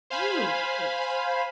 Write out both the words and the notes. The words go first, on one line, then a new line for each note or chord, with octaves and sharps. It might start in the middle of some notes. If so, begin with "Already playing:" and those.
Ooh, nice.
C5 F5 G#5 B5